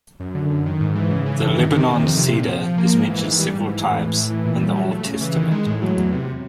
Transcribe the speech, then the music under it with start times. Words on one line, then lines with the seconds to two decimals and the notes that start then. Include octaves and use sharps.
The Lebanon Cedar is mentioned several times in the Old Testament.
0.20 F#2
0.35 D3
0.50 F#2
0.66 D#3
0.81 G#2
0.95 E3
1.11 C#3
1.26 E3
1.42 G2
1.57 D#3
1.72 C3
1.87 D#3
2.02 F2
2.17 C3
2.33 A#2
2.48 F3
2.63 F3
2.78 A#3
2.93 G#2
3.08 E3
3.24 D#3
3.39 G3
3.54 G#2
3.69 E3
3.84 A2
3.99 E3
4.14 A2
4.30 E3
4.45 A#2
4.60 G3
4.75 F#3
4.91 A3
5.06 C#3
5.21 E3
5.36 D#3
5.51 G#3
5.67 A2
5.82 F#3
5.96 E2
6.12 C3